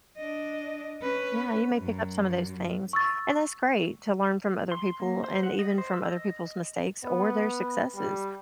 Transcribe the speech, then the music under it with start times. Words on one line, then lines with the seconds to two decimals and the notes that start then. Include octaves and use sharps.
Yeah, you may pick up some of those things. And that's great to learn from other people and even from other people's mistakes or their successes,
0.17 D4 D#5
1.02 C#4 B4
1.78 F#2
2.93 C#6 E6 A6
4.72 C6
5.00 A#3
5.24 C5
5.43 F#5
5.59 D#5
5.78 C5
5.94 E6
6.08 D#5
7.04 B3
7.95 G3